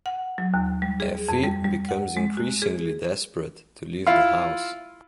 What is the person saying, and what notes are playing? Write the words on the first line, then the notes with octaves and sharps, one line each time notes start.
Effie becomes increasingly desperate to leave the house.
F#5
F#3
D#2
G3
G#4
F2
G3
G3
F#5
G#3
F#4
G#4
E4 F4 F5